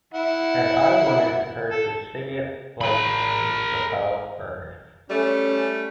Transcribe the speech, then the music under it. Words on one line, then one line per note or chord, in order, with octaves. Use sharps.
And I wanted her to sing it like it's about birth.
E4 F#5
A4
A#4 B5
G3 A3 C#4